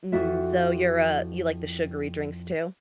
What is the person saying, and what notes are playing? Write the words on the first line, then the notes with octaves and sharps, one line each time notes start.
Mm, so you're, uh, you like the sugary drinks too?
F2 F3 E4 F#4 E5